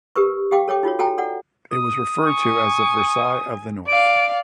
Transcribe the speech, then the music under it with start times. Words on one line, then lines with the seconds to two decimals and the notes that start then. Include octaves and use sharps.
It was referred to as "The Versailles of the North".
0.16 G4 A#4 B4 C#6
0.51 G4 F5 G5 D6
0.68 A4 C#5 G5 D6
0.83 D#4 F4 F#4 C#5
0.99 F#4 A4 G5 G#5 A#5
1.18 A4 D5 F#5
1.72 D#6
2.25 G#5 C#6
3.88 D5 F5 D7